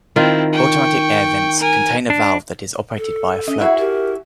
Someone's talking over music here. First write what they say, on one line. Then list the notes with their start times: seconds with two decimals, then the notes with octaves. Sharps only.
Automatic air vents contain a valve that is operated by a float.
0.16 D#3 C4 E4 F4
0.53 G5 C#6
1.60 A#4 G#5
2.10 D4
2.97 A4
3.48 C#4 D#5
3.60 E4 F#4 G#4 F#5
3.79 G4 A#4